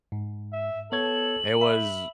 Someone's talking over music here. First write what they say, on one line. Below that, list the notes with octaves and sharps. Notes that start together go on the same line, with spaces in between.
It was
G#2
E5
B3 A4 C#5 G#6 F#7
E5 B5